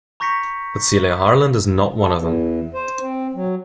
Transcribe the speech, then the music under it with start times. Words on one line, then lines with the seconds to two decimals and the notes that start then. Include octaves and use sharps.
But Celia Harland is not one of them.
0.20 A#5 C#6 G6 A#6 B6 C#7
1.98 A4
2.15 E2
2.74 C5
3.02 C4
3.35 F#3